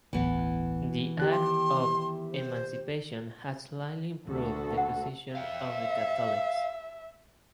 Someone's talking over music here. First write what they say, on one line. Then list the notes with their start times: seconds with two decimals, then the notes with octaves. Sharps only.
The Act of Emancipation had slightly improved the position of the Catholics.
0.13 G1 D2 A2 E3 B3
1.19 D#3 G4 F#6
1.32 E5 C6
2.32 C5
4.27 D2 F#4 A4
4.78 F#5
5.35 E5 F5 G5